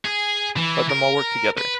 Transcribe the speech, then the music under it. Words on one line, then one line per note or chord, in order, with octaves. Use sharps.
Let them all work together.
G#4
E3
A#4
B4